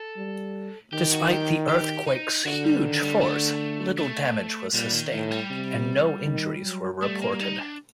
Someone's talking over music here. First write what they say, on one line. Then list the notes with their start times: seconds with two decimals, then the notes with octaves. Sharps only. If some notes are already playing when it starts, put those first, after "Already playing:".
Despite the earthquake's huge force, little damage was sustained and no injuries were reported.
Already playing: A4
0.17 G3
0.93 D#3 G4
1.12 F#4
1.31 G4
1.69 G4
2.07 D#4
2.46 D3 F#4
2.64 G3
2.83 D#3
3.03 G3
3.21 A3
3.98 A3
4.73 A#2 G3
4.93 D#3
5.11 A2 D#3
5.31 G3
5.50 C3
6.26 D#3
6.64 F#3
7.02 G3 A3
7.22 A#3
7.40 D#4
7.60 D4